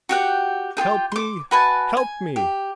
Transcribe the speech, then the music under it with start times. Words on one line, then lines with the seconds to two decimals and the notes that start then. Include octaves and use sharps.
Help me! help me!'
0.09 F#4 G4 F#5 G5
0.77 F4 G4 G#4 G5
1.12 C6 D6
1.51 F#4 B4 G#5 A5
1.97 G#5
2.36 G4